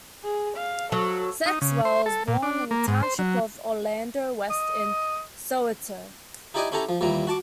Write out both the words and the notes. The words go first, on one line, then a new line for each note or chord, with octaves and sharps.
Sexwale was born in the township of Orlando West, in Soweto.
G#4
F5
F#3 A4
D#4
C#3
C5
A4
A#2
D4
A#3
G#2
C5
F#3
D#5
D#4 E4 G4 D5 D#5 G#5
C#4 E4 G4 A4 A#5
F3
D#2 A#2 E3 G3 A#5
F#4 A5 D6